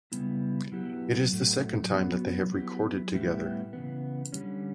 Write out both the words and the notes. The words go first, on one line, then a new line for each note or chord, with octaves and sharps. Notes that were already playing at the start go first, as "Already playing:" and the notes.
It is the second time that they have recorded together.
C#3 G3 B3 E4
F#3 B3 E4 G4
A2 F#3 A3
F#3 B3 F#4
F#3 B3 E4 G4
A2 G3 B3 E4 G4
C#3 E3 B3
D3 G3 C#4